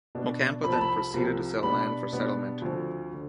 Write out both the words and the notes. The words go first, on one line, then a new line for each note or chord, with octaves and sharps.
Ocampo then proceeded to sell land for settlement.
B2 B3 D4
C2 C3 F3 C4 B5
A5
B5
C2 C3 F3 C4
B2 G3 B3 D4 B5
B2 G3 B3 D4
D2 D3 F3 C4
D3